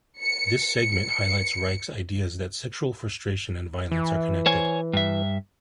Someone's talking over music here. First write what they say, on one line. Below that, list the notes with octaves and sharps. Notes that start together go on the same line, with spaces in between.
This segment highlights Reich's ideas that sexual frustration and violence are connected.
C#7
C#7
E3
C5 C#5 G#5
G2 E5